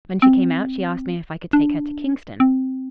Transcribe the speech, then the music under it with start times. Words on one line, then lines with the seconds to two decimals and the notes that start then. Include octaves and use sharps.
When she came out she asked me if I could take her to Kingston.
0.22 C4
1.53 D4
2.40 C4